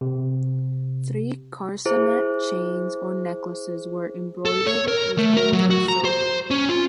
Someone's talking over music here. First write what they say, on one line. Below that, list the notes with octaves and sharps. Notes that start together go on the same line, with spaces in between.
Three "carcanet chains" or necklaces were embroidered with gold and silver.
C3
E4 G#4 C5
A4
C#5
A#4
A3
A#4
F#3
F#4
A#5
C5
C#4
F4